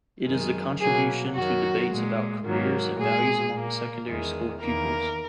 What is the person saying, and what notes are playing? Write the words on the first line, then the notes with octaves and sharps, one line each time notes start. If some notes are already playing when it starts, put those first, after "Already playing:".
It is a contribution to debates about careers and values among secondary school pupils.
F#2 D#3 G#3
B2 F#3 A#3 G#4
F#2 D#3 F#3 F#4
A#2 G#3
G#2 D#3 F#3 A#3
A#2 G#3 G#4
A#2 A#3
E2 D#3 G#3
E2 D#3 A#3 A#4